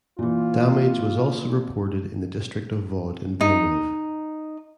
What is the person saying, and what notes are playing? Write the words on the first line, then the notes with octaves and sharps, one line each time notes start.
Damage was also reported in the district of Vaud in Villeneuve.
A#2 E3 F4
D#4